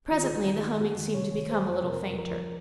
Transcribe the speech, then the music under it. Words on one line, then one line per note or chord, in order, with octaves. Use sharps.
Presently the humming seemed to become a little fainter.
D#3 F4
G#4
C#2
F#4
D#3
G#4
D#3
F2 F#4
D#3
C3 C#5
D#3
F2 C5
F2
C3 A#4
F2
F3 A#4